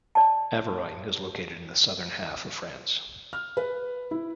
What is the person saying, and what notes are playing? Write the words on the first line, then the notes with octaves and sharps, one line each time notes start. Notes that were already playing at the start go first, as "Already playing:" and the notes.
Averoigne is located in the southern half of France.
D5 A5
F6
B4
E4